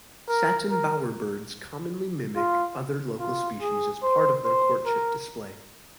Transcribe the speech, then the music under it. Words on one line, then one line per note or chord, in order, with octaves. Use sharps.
Satin bowerbirds commonly mimic other local species as part of their courtship display.
A#4
A#4
F4
F4
G#4
C5
C5
A#4